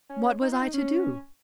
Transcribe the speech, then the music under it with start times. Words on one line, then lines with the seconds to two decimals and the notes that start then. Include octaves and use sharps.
What was I to do?
0.09 C#4
0.41 D#4
0.52 F4
0.63 D#4
0.74 C#4